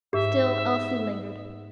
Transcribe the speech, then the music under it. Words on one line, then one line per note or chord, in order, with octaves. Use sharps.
Still Elsie lingered.
G#2 G4 E5